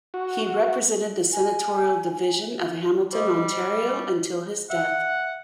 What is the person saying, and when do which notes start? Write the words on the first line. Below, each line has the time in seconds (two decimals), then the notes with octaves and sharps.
He represented the senatorial division of Hamilton, Ontario, until his death.
0.14 F#4
1.33 G#5
3.13 G3 C5 D#5
4.70 E5 F#5